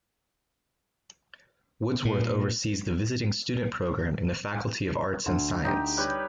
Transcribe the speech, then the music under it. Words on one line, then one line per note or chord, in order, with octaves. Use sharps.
Woodsworth oversees the Visiting Student Program in the Faculty of Arts and Science.
A#2
D2
D2 D#4 G4
G3 B4 C#5